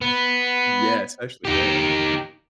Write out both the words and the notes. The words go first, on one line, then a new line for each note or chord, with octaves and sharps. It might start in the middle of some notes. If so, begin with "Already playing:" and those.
Yeah, especially there.
B3
D#4 G4